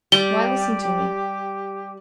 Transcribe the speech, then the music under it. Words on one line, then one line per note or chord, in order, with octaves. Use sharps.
Why listen to me?
G3 G4 G7